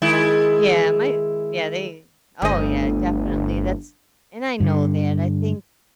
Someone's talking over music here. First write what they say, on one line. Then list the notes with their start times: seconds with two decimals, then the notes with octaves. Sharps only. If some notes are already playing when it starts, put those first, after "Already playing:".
Yeah, my Yeah, they Oh, yeah, definitely, that's And I know that I think
0.02 D#3 G#3 E4
2.42 G1 D2 D#5
4.60 G2 D3